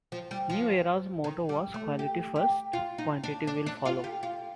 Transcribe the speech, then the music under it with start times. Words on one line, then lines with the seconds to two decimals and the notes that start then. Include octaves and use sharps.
New Era's motto was "Quality First, Quantity Will Follow".
0.12 F3
0.31 G3
0.50 F3
1.24 D#3
1.49 G3
1.74 A3
1.99 G4
2.36 G4
2.73 F4
2.98 D#4
3.24 D4
3.47 D4
3.66 D4
3.85 F4
4.04 G4
4.23 F4